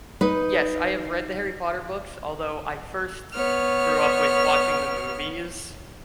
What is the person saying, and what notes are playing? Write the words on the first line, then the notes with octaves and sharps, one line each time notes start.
Yes, I have read the Harry Potter books, although I first grew up with watching the movies.
D#4 B4
B3 C#5 F6